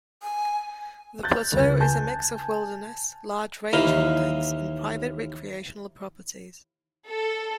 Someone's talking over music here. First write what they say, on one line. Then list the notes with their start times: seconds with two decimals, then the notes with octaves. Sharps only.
The plateau is a mix of wilderness, large ranch holdings, and private recreational properties.
0.22 G#5
1.23 F#6 G6 A6
1.54 C#2
1.80 G#5 A5 G6
3.73 D#2 E3 D#4 D#5 F5 B5
7.09 A4